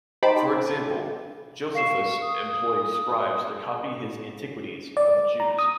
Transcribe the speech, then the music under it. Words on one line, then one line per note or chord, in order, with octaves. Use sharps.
For example, Josephus employed scribes to copy his Antiquities of the Jews.
D#4 G4 C5 A5 B5 D6
F5 C#6 C7 E7
D#6
D5
A#5
D#6